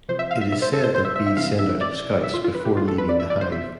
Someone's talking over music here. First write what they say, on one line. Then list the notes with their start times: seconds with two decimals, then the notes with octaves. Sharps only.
It is said that bees send out scouts before leaving the hive.
0.09 C3 F3 C5
0.19 E5
0.31 F5
0.41 E5
0.52 B2 E5
0.62 C5
0.73 A4
0.84 C5
0.95 B2 C5
1.05 E5
1.16 E5
1.26 E5
1.37 C3 E3 F5
1.59 E5
1.81 C3 E3 D5
2.23 B2 E5
2.34 F4
2.44 F4
2.54 B4
2.65 B2 G4
2.77 F4
2.88 A4
2.98 B4
3.08 C3 F3 D5
3.20 E5
3.30 D5
3.41 C5
3.51 B2 E5